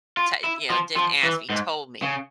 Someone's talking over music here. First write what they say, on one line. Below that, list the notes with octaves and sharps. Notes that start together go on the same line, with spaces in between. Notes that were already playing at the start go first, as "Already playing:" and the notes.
To you know, didn't ask me, told me.
F4
E4
F3
F3
E3
G#2
C#3